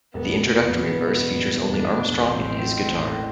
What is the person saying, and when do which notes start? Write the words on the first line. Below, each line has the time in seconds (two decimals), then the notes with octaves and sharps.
The introductory verse features only Armstrong and his guitar.
0.14 E1 B3
0.32 E1
0.48 E1
0.66 E2
0.83 E1
1.00 B2
1.18 E1
1.35 E2
1.53 B2
1.69 E2 D4
1.87 E1
2.04 E2
2.21 A1 C4
2.39 A1
2.55 A2
2.72 A2
2.90 A1
3.08 A2